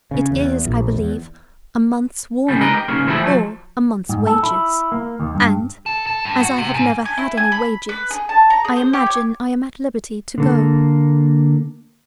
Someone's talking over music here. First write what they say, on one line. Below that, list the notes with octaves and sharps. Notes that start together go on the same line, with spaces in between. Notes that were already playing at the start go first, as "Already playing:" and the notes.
It is, I believe, a month's warning or a month's wages; and, as I have never had any wages, I imagine I am at liberty to go.
C#3
E2
A#1
E2
A2 C#3 G3
A#4 B4 D#5
G4
G#2 C#3 A#3
E3 F3 G3 A3 E4
F3 F#3
G#2
A4
E4
A#3
D#2
G2
A4
A4
G2
F#4
C3
G#2
G#5
E4
G#5
B5
B4
G#4
A5
A#5
G#4
C5
G4
C#5
D3 A#3 A4